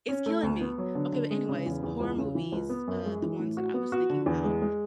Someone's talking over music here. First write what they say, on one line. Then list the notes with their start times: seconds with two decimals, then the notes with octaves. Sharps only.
it's killing me. Okay, but anyways, horror movies, uh, the ones that I was thinking about,
0.09 C#4
0.26 A3
0.43 D2
0.61 B3
0.78 F#3
0.95 D3
1.13 D3
1.31 G#3
1.49 C#3
1.66 E2
1.83 E2
2.00 C#2
2.18 C#3
2.35 E3
2.52 C#2
2.70 B3
2.87 F#2
3.05 G#3
3.22 E3
3.39 A2
3.57 F#4
3.74 B3
3.92 F#4
4.10 D3
4.26 E2
4.44 G#3
4.62 G#3